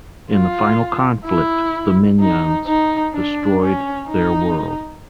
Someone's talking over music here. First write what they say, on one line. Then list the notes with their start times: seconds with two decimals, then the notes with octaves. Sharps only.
In the final conflict, the Minyans destroyed their world.
0.31 F4
1.25 E4
2.20 D#4
2.66 D#4
3.14 D4
3.60 C#4
4.08 D#4